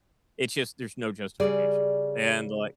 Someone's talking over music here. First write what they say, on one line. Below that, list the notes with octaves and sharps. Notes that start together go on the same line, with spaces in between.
it's just there's no justification, and like
C#3 G3 G#4 D5